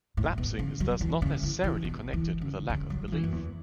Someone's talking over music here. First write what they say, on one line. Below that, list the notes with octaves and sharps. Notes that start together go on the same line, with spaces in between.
Lapsing is thus not necessarily connected with a lack of belief.
A2
B2
C#3
F#3
E3
C#3
E3
E3
B2
E3
C#3
C#3
F#3
F#3
E3
F#2
E2